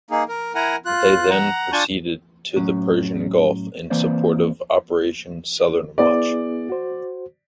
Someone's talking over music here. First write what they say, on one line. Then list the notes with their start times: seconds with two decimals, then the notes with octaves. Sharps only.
They then proceeded to the Persian Gulf in support of Operation Southern Watch.
0.11 A#3 D#4 G#4
0.28 A#4
0.55 E4 A#4 F#5 G#5 A#5
0.85 F4 F#6
1.30 F#5 A#5
1.72 D4 F4 G#5 A5 C#6 G6
2.56 A2 F#3 C#4
3.90 E3 A#3 C4 C5 D5
5.98 B3 E4 G#4 D5
6.70 F#4 C5